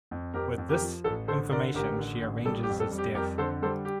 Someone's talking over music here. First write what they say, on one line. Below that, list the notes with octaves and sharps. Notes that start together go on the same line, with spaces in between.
With this information she arranges his death.
F2
F2 G4 A#4
F2
G4 A#4
F3
A1 A4
D3 A4 C5
D3 A#4 D5
A1 G4 A#4
D3
A1
G3 A4
G4
F2
A4
G3
G4
F2 G4 A#4
D3 A4 C5
G3 A4 C5
G4